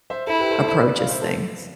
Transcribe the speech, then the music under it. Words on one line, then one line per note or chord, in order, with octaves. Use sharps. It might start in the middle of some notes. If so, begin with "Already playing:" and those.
approaches things?
C5 E5
E4 A4
G4 B4
A4 C5
A4 C5
B4 D5
D5 F5
C5 E5
A4 C5